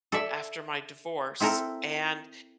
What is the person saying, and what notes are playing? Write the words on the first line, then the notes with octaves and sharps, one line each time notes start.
after my divorce. And,
A4 D5 E5
C4 E4 A4 A#4